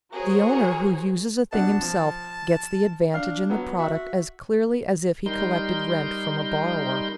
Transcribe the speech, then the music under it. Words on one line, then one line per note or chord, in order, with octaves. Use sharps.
The owner who uses a thing himself gets the advantage in the product as clearly as if he collected rent from a borrower.
F#4 G#4 A#4 C5 C#5
B2 D4 F#5 A5
F3
D4 F5
F#3 B3
F#4 E5
G3 D#4 A#4 C6 G6